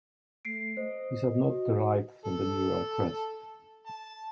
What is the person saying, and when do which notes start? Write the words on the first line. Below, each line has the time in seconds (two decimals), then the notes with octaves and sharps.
These are not derived from the neural crest.
0.45 A3 C7 D7
0.77 C5 D#5
1.49 F#4
2.25 A4
3.86 A5